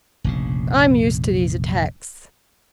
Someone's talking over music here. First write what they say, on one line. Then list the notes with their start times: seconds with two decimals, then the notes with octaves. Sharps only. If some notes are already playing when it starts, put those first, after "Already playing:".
I'm used to these attacks.
0.24 F1 A#1 C#3